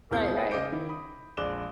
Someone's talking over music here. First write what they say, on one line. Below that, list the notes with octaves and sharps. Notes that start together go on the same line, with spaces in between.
Right, right.
C#2 B2 G#3 C4 E4 G6
G#4 B4 F#5
C#3 D#5 D6 G6 D7
D#3 E4
B5 D#6
A#1 G#3 D6 F#6 E7 G7